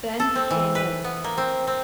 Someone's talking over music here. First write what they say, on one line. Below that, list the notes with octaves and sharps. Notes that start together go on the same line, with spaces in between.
Then he came in.
A4
C4
E3
B4
B3
A#3
C4
C4